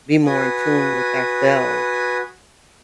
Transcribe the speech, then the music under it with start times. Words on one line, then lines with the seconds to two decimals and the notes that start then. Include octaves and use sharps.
be more in tune with ourself,
0.26 F#4 B4 G#5 D#6